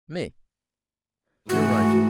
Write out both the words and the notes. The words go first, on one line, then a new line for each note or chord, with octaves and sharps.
ME: You're right.
G#2 E3 A3 F#4